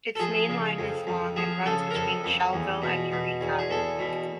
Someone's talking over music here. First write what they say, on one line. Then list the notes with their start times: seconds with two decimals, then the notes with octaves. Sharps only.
Its main line is long and runs between Schellville and Eureka.
0.15 A4
0.20 F3 G#4
0.49 C#3
0.78 F2
1.07 F2
1.36 F3 G#4
1.66 C#3 A4
1.91 A#4
1.95 F2 A4
2.24 F2
2.53 E2
2.82 B2
3.12 B2
3.41 E2
3.59 G#4
3.70 E2 A4
3.99 B2